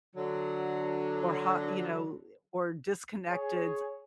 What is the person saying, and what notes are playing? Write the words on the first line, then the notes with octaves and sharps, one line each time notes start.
or how you know or disconnected
D3 F#3
G#4 C#5